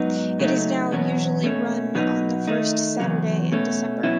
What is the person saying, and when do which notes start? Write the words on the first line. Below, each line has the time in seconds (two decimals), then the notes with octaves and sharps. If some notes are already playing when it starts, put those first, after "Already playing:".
It is now usually run on the first Saturday in December.
Already playing: G#2 F#3 B3 D#4
0.39 C#3 F#3 A3 D#4
0.91 E2 B2 F#3 C#4
1.43 B2 A3 C#4
1.95 B2 F#3 B3 D#4
2.47 D#3 A3 D#4
3.00 E2 C#3 F#3
3.52 B2 A3 C#4
4.03 B2 F#3 C#4 E4